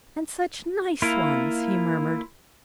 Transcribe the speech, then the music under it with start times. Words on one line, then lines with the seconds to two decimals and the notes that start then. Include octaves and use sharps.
"And such nice ones," he murmured.
1.02 A#3 E4 F4